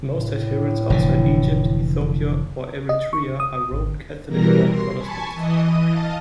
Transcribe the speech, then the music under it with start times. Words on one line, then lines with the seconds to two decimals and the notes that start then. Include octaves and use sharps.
Most adherents outside Egypt, Ethiopia and Eritrea are Roman Catholic or Protestant.
0.13 A2
0.90 F1 D3 E3
2.89 D#5
3.13 C#6
3.40 D#6
3.73 G#1
4.27 B2 E3 G3 A#4 A#6
4.67 C6
4.97 G#5 A5 B5 C#6
5.34 E3 D#5 D#6
5.89 D#5 F5 A5